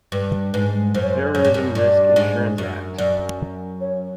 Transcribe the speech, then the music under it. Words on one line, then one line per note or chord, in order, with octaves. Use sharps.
Terrorism Risk Insurance Act.
G2 B4
G#2 B4
F#2 C5
C#5
C5
F#2 C#5
G2
F#2
G2 D5
G#2
F#2
F#2 D5
C#5